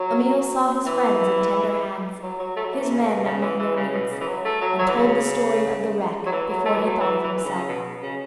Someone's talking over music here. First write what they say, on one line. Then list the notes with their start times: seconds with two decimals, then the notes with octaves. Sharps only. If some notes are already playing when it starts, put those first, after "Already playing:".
Emil saw his friends in tender hands, his men among their mates, and told the story of the wreck before he thought of himself.
Already playing: F#3
0.86 E3
2.22 F#3
2.39 F#3
2.56 A3
2.65 F#3
2.73 E3
2.84 E3
2.91 C#3
3.08 B2
3.25 C#3
3.41 E3
3.59 E3
3.76 C#3
3.93 B2
4.10 C#3
4.20 E3
4.27 F#3
4.45 A3
4.61 F#3
4.79 F#3
4.88 E3
4.95 C#3
6.26 F#3
6.32 E3
6.49 F#3
6.65 A3
6.76 E3
6.83 F#3
7.00 E3
7.23 E3
7.37 E3
7.45 C#3
7.68 B2
8.03 C#3